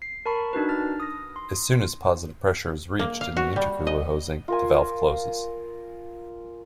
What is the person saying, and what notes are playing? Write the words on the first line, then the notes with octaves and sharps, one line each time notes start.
As soon as positive pressure is reached in the intercooler hosing, the valve closes.
C7
A#4 A5 B5 C#6
D4 D#4 F#4 B4
F6 A6
D#6 A#6
C6
A#3
F5
F#4
G3
D#5
F4 A#4 G#5